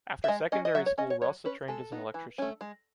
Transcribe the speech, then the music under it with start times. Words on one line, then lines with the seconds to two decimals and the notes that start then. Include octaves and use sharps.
After secondary school Rossa trained as an electrician.
0.24 E5
0.28 G#3 D#5
0.52 C#4 D#5
0.65 D#5
0.75 F#3 E5
0.86 C#5
0.98 C#4 D#5
1.10 C#5
1.22 F#3 C#5
1.45 C#4 B4
1.68 G#3 A4
1.92 B3 D#4
2.14 E3
2.38 A3 C#4
2.61 G#3